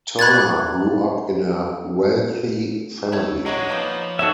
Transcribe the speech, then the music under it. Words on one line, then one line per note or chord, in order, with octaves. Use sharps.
Turner grew up in a wealthy family.
B5 F#6 G#6 A6
A3 A4 C#5
F#3 G#3 D4 F#4 C#5 D#5 G#6
F3 A#3 B3 D#4 C#5
D#3 C#4 D#4 F#4 A4 E5 G#6